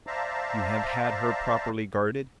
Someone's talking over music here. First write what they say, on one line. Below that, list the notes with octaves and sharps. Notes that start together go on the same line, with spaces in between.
"You have had her properly guarded?"
C5 D5 E5 F5 A5 A#5